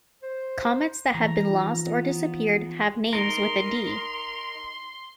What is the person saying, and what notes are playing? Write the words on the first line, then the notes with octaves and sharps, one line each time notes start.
Comets that have been lost or disappeared have names with a "D".
C5
E3 A#5
F3 D#4 F4
B3 F4
D#4 A#4 C6